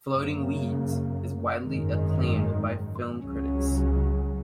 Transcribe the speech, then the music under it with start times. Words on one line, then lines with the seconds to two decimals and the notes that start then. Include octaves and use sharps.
"Floating Weeds" is widely acclaimed by film critics.
0.11 F#2 C#3 A#3
1.64 G#1 F#2 D#3 G#3
3.17 C#2 C#3 F#3 C#4